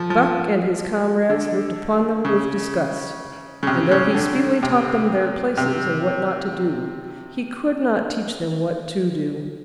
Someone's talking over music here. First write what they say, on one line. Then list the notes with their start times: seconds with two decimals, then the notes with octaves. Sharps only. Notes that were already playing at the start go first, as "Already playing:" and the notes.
Buck and his comrades looked upon them with disgust, and though he speedily taught them their places and what not to do, he could not teach them what to do.
Already playing: F3
0.10 F3
1.30 D3
2.25 C#3
3.63 C#3
3.67 C3
3.91 C#3
4.14 D3
4.63 C3
5.57 C3